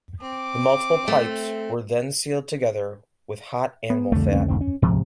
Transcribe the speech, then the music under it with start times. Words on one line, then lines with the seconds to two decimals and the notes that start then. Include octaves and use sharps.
The multiple pipes were then sealed together with hot animal fat.
0.21 C4 D6
1.08 A3
3.90 B3
4.12 C2 F2 D3 A3
4.32 A3 C4 C#4
4.48 E1 G#2 C4
4.61 C#4
4.82 D#1 C2 G#2 C3 F3